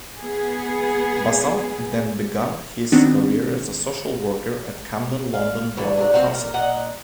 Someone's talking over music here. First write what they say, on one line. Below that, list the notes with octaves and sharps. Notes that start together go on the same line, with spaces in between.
Bassam then began his career as a social worker at Camden London Borough Council.
B3 G#4
D#3 B3 C4 D4 D#4 F#4
F5
D3 E3 C#5
F#3 D4
C4 F4 F#4 C5
A#2 A#4
A#2 D#5 F#5